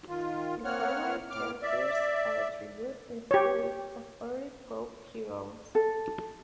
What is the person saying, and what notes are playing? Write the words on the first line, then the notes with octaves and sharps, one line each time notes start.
The primary characters are a tribute and spoof of early pulp heroes.
D#3 F4
A#3 C4 C#5 F#5 F6
A2 D6 F6
D5 E5
G4 C#5
A4